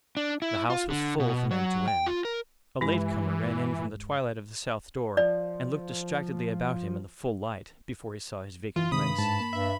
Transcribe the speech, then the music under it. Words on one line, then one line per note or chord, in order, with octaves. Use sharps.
The house was full from end to end; a late comer ran in from the twilight of the south door and looked distractedly about him in the full light before he saw his vacant place.
D4
E4
F4
D3
B2
F#3
G5
F4
A#4
G2 E3 G#3 B5
F3 D5
F#2 E3 F4
G2 C3 D#3 G#3 B5 D#6
G#2 A5
A#3
G2 E5